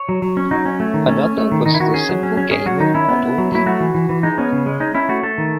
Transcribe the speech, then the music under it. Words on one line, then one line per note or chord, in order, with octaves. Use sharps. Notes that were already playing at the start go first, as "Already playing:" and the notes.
Another was the simple game of odd or even.
Already playing: C#5
F#3
F#3
C#4
F#3 D#4
C#4
A3
D#3
A3 C#4
C#4
A3
D#3
D#3 D#4
E4
D#3 F#4
C#4 G#4
F#3
C#4
C#4
C#4 G#4
F#3 F#4
D#3 D#4
C#4 E4
B3
B3
F#3
F#3 E4
A3 F#4
E3
E3
E3
G#3 D#4
B3 C#4
C#3
G#3
C#4 D#4
C#4 E4
A3 F#4
A3 A4
D#3